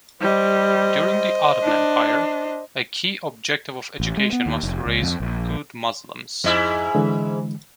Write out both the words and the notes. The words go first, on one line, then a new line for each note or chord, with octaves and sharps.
During the Ottoman Empire, a key objective of education was to raise 'good Muslims'.
G3 C5 D#5
D4
A1
G#3
B3
D#2
F1
C#2
F2
A#1
F2 G#2 E4 D#5
D3 E3 G#3